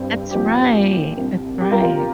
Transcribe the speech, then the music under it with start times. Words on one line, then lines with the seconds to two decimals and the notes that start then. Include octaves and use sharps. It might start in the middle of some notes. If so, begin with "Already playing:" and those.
That's right, that's right.
Already playing: G2 G3 C4
0.31 A#1 A#2 G3 C4 G4
1.17 C2 C3 A#3 D4
1.61 G4
1.71 F4 A#4
1.82 F4 A#4